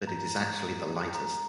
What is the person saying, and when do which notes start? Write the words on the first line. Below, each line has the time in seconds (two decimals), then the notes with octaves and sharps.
But it is actually the lightest.
0.07 A#5
1.15 A#5